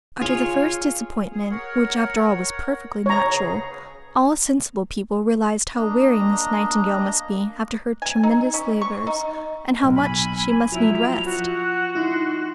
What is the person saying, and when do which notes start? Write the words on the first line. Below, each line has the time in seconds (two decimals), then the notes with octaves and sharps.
After the first disappointment--which after all was perfectly natural--all sensible people realized how weary Miss Nightingale must be after her tremendous labors, and how much she must need rest.
0.21 F4 G#4 C#5
1.32 G#4
1.51 A#4 C#5 F#5
3.06 C#5 A#5
3.30 C#3 B3 G#4
5.76 A#3 D4 D#5 A#5
8.02 G#5
8.23 D#4
8.54 C#4
8.81 C#6
9.07 D#4
9.82 B1
9.95 G#5 B5
10.72 F3 F#3 E4 F7
11.25 F3 F#4
11.49 F#5
11.95 D#4 E4 C6